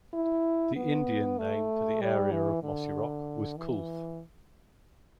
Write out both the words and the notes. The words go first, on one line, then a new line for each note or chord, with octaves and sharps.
The Indian name for the area of Mossyrock was "Coulph".
E4
B3
A3
G3
E3
D3
E3